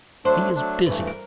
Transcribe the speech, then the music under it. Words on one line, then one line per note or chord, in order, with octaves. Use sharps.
"He is busy."
F#3 A3 D4 C5
F#3 A3 D4
G2 E3 A3 B4
A#4